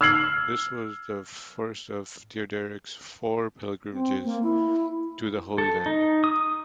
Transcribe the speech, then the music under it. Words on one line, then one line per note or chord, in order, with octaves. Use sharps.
This was the first of Theoderic's four pilgrimages to the Holy Land.
E6 F6 G#6 C7 F#7
C4
A#3
E4
A4
D#4
D#6